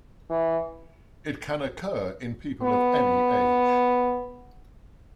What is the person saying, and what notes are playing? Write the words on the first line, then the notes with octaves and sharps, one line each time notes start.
It can occur in people of any age.
E3
B3